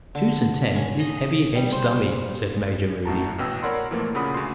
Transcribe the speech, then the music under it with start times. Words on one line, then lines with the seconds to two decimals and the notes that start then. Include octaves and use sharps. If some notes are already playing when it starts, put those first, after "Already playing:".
"Twos and tens is heavy against dummy," said Major Moody.
0.15 D3
0.76 C#4
1.00 D#5
1.55 G3
1.72 C5
3.05 A#1 A2 F#4 A5 A#5
3.38 A1 B2 G5 E6
3.63 A#4 C#5 D5 F#5 B5 C6
3.91 A#2 E3 F3 A3 A#3
4.15 A#2 C#3 F#5 B5 D#6
4.34 D2 F#4 C6